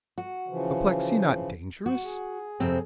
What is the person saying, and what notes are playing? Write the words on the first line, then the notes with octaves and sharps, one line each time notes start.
"Apoplexy not dangerous?"
F#4
C#3 E3 F3
F#4
G#4
F2 C3 C4